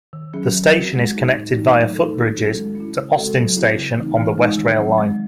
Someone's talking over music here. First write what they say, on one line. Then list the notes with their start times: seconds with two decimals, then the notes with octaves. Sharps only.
The station is connected via footbridges to Austin Station on the West Rail Line.
0.13 D#3
0.33 F#3 C#4 G#4
0.54 F#3
0.73 C4 F#4
0.94 G#3
1.15 D#4 G#4
1.34 A2
1.54 E3 A3 D#4
1.75 F#3
1.94 A3 D#4 A4
2.15 D#3
2.36 F#3 C#4 F#4 A4
2.56 G#3
2.75 C#4 E4
2.96 C#3
3.16 G#3 C4 F#4 A4
3.36 F#3
3.57 C4 E4 G#4
3.77 C#3
3.96 E3 A3 C4 D#4
4.17 E3
4.38 G#3 D#4
4.57 D#3
4.77 F#3 C4
4.98 G#3